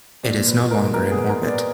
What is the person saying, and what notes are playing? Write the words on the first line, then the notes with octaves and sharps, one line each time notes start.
It is no longer in orbit.
A#2 D5
A#2
B4
A#2
A#4
G#3
B3 A#4
B3 G#4
B3 A#4
B3 D5